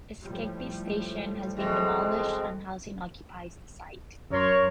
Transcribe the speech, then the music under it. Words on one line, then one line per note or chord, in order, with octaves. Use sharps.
Skegby station has been demolished and housing occupies the site.
A2 F3 G3
B2 E3 G#3 C4 A4
F#2 A#4 C#5 C6